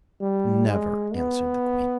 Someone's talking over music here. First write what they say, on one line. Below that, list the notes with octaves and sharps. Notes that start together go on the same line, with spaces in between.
"Never," answered the Queen.
G3
G#3
B3